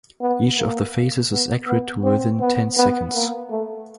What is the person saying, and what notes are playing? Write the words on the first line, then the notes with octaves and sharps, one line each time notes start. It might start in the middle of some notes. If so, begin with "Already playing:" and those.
Each of the faces is accurate to within ten seconds.
B3
A#3
B3
B3
C4
B3
B3
A#3
A3